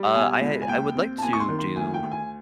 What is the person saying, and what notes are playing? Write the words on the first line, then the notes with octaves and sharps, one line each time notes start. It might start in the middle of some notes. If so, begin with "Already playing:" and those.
uh, I I would like to do,
Already playing: G3
B2 G#5
C#2
G#5
D#2 G5
C4
A5
D#2 G#5
C#6
C6
D#3
C6
D2 G#5
G5
D2
G#5